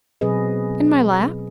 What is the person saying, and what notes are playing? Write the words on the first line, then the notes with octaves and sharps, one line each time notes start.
"In my lap."
B2 F#3 C4 G#4 B4 D#5